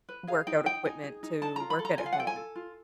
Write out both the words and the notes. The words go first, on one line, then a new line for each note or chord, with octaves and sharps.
workout equipment to work at home
B4
G#4 F5
D#4 G5
D#4 G5
D#4 G#5
G#4
D#4
A4 A5
F4 A#5
B5
A4
A#5
F4 G#5
F5
F#5
A4 G5
G#5
A4
F4